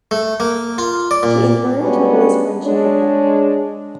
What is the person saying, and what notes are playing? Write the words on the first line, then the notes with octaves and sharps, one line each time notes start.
She encouraged her boys' friendship with him.
A3
A#3
F4
D5
A#2
G3 G#3 B3 C#4 D4 F#4
G#3 D4 C#5